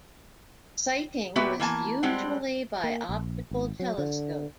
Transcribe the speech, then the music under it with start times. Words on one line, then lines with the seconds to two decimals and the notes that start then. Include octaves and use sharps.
Sighting was usually by optical telescope.
1.36 A#2 B3 F#4 G4 B4 E5
1.60 E3 A#3 G#5 A5
2.03 G3 G#3 C4 F#5
2.84 A#3
3.09 A#1
3.51 G#1
3.80 F#3
3.98 D3